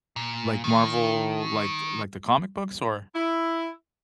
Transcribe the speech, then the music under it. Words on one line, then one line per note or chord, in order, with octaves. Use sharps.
like, Marvel, like like the comic books or?
A#2
D#3
E4